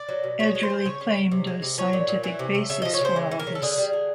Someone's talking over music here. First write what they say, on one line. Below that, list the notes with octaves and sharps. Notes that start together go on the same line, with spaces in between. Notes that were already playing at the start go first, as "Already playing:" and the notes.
Edgerly claimed a scientific basis for all this.
Already playing: D5
F#3
B2
B2 C#5
G#3
C5
G#3
C#3 C#5
C#3
C#3
C3
G#3
C3
F3 C#5
A#2
A#2
E3
C3
A3
C#3 E5
F3 D#5
C#5
C#3 C5
G#3
E3
A#4
C#3
A4
D3 G#4
G3
D3